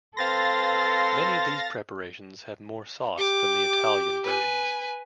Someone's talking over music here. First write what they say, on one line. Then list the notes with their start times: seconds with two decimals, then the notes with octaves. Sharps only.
Many of these preparations have more sauce than the Italian versions.
0.17 C4 A4 B4 F5 C6 A6 A#6
3.18 G4 D6
4.24 B4 G#5